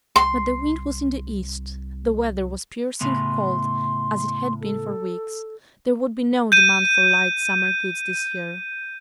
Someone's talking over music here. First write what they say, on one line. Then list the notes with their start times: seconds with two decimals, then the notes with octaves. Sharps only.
But the wind was in the east; the weather was piercing cold, as it had been for weeks; there would be no demand for light summer goods this year.
0.16 C2 C6
3.01 A2 C#3 B3 C6
4.61 A4
6.52 G6 D#7